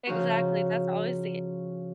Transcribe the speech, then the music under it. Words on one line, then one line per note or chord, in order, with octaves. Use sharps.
Exactly, that's always the
C#3 F3 D#4 F#4